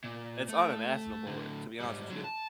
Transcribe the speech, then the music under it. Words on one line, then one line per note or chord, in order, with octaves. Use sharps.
it's unimaginable, to be honest with you.
A#2
A3
A2 D3
G#2 G3
D3 F#3
A5